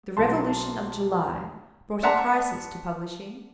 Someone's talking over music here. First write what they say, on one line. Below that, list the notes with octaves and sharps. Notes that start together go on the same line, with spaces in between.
The Revolution of July brought a crisis to publishing.
B1 A5 C6
D5 E5 F#5 A5 A#5 C6